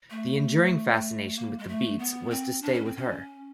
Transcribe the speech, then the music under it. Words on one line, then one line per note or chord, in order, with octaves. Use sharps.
The enduring fascination with the Beats was to stay with her.
A3
A#3
G#3
A3
B3
C4
D4
C#4
C4
C#4